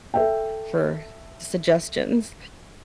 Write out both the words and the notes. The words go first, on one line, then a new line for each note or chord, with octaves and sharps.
for the suggestions.
A4 E5 G5